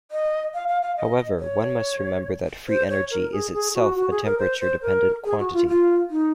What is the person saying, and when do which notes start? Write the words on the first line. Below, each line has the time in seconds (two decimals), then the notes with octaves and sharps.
However, one must remember that free energy is itself a temperature dependent quantity.
0.11 D#5
0.54 F5
0.68 F5
0.82 F5
0.97 D#5
1.40 C#5
2.68 C5
2.90 C#5
3.11 A#4
3.32 G#4
3.53 G#4
3.75 F#4
3.96 F#4
4.11 G#4
4.25 A#4
4.39 C5
4.61 C5
4.82 A#4
5.25 G#4
5.39 F#4
5.53 F4
5.68 F4
6.10 D#4